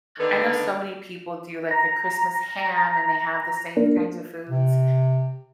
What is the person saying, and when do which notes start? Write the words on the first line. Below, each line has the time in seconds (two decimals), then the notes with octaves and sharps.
I know so many people do, like, the Christmas ham, and they have the same kinds of foods
0.19 D3 D#3 B3 D4
1.71 A#5
3.77 A#3 D4
4.49 C3